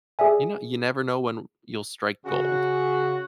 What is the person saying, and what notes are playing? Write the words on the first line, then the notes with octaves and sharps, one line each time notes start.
you kno you never know when r you'll strike gold.
G#4 D5 E5 G#5
C#3 F#4